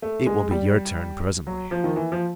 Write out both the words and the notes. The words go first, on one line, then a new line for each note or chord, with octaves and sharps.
"It will be your turn presently!"
A3
G#3
G3
F#3
F3
D#3
E3
F3